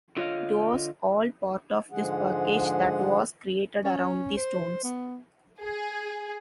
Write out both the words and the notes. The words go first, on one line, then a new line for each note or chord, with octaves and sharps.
It was all part of this package that was created around the Stones.
D3 F4 C#5 D#5 F5
G#2 D3 F3 G#3 G#4 F#5
C#4
C5
B3
G#4